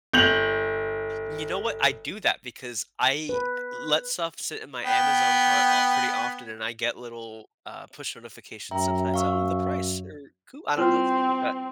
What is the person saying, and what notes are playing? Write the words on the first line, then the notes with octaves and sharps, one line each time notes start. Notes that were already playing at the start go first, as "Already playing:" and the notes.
you know what, I do that because I let stuff sit in my Amazon cart of pretty often, and I get little, uh, push notifications sometimes. "Oh, the price," or "cou" I don't know, stuff like that.
G1 G6 F7 F#7
B4
B3 G5
F#2 E5 G5 A#5
F5 C#6 E6
G3 C4 E4 F4